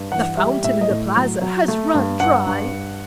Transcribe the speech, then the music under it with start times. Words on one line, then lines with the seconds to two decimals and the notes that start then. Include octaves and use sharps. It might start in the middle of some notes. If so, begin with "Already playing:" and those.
The fountain in the plaza has run dry.
Already playing: G2
0.12 E3 F#5
0.37 G3 E5
0.63 A2 E5
0.81 D#5
0.90 A2
1.16 F#3
1.42 F#3
1.68 A3
1.94 G2
2.20 G2 F#5
2.46 G2
2.72 G2